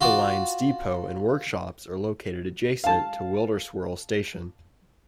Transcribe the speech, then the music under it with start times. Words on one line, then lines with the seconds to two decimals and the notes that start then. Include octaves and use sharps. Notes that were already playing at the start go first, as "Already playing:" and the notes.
The line's depot and workshops are located adjacent to Wilderswil station.
0.01 F4 F#4 A5 D6
2.84 F5 A5